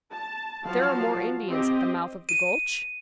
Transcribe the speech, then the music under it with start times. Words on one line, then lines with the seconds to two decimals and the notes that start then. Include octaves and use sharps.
"But there are more Indians at the mouth of the gulch?"
0.12 A5
0.66 F3 F#3 F#4 F5 A5
1.50 C4 G4 D#5
2.29 D#7